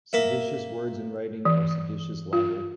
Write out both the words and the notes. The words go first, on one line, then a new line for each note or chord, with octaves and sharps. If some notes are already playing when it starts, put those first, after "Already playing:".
Seditious words in writing are seditious libel.
A#3 E5
E3
F4